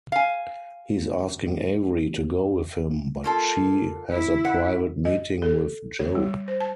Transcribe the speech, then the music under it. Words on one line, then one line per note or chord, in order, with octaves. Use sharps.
He's asking Avery to go with him, but she has a private meeting with Joe.
F5 G#5
A#3 F4 A4
E4
F#5
D#5
A4
C#5
G3
C5
A5